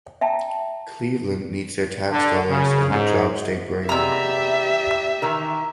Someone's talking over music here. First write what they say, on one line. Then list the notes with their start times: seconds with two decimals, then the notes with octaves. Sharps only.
Cleveland needs their tax dollars and the jobs they bring.
0.21 E5 G5 A5 A#5
2.11 D3
2.50 C#3
2.89 G#2
3.89 C3 G#3 B3 G4 D5 E5 A#5 E6
5.22 D#3 E3 A#4